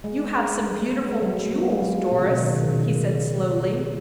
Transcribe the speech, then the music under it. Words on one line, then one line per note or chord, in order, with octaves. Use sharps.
"You have some beautiful jewels, Doris," he said, slowly.
G#3
B3
G#3
F#3
B3
A#3
G#3
F#3
A#2
C#3
B2
D#3
D#3
C#3
B2
C#3